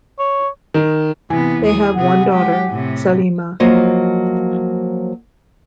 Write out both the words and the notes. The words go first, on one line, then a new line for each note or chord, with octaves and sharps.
They have one daughter, Salima.
C#5
D#3
C3 E3 B3
D#2 G#4
C3 G#4 F#5
G#3 G4
A2 C3
F3 F#3 A#3 D#5